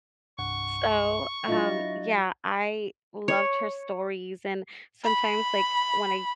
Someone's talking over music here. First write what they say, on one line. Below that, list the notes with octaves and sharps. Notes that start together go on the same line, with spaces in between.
So, um, yeah, I loved her stories, and sometimes, like, when I
C2 G2 F#5 C#6
F#3 D4 E4 F4 D#5 A6
C#5
B5